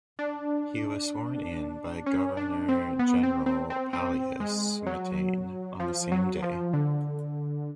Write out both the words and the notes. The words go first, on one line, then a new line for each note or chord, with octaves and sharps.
He was sworn in by Governor-General Paulias Matane on the same day.
D4
C#4
D4
C4
B3
C4
C4
C4
C4
G#3
F#3
F3
F#3
F3
D3